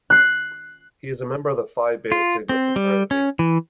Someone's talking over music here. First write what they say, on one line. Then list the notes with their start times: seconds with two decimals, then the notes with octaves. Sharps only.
He is a member of the Phi Beta Sigma fraternity.
0.10 F#6 C7
2.12 F4
2.49 C4
2.76 G3
3.11 C#4
3.39 E3